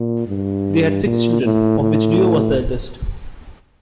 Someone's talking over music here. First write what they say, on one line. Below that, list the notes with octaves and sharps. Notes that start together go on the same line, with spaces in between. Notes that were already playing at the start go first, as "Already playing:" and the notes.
They had six children, of which Leo was the eldest.
Already playing: A#2
G2
A#2
A2
A2